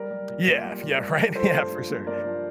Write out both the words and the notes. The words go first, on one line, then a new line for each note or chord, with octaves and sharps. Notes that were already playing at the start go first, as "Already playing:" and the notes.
Yeah, yeah, right, yeah, for sure,
Already playing: G3 A#4 D5
G3
A#2
A#2
G3
A#2
G3
G3
F3 A4 C5
G2
F3
G2
G2 A#4 D5
F3